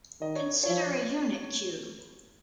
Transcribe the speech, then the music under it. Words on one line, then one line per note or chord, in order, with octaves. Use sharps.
Consider a unit cube.
D#3 D#5
C#5
C#5
F3